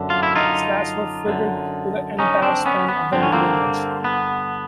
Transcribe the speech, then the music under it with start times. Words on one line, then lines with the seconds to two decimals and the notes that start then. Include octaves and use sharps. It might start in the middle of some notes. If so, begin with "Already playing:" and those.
Slats were fitted to the entire span of the leading edge.
Already playing: F#2 D3
0.10 F4
0.23 E4
0.35 D#4 F4
1.26 F#2 D3
2.19 C#4 D#4
2.42 C4 D4
2.66 B3 C#4
2.88 B3
3.12 G2 D3 C4
3.23 C#4
3.32 A#3 C4
4.04 B3